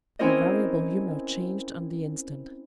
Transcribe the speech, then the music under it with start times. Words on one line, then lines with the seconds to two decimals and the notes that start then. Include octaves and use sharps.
Her variable humor changed on the instant.
0.19 C4 C#4 E4 A#4 C5 D#5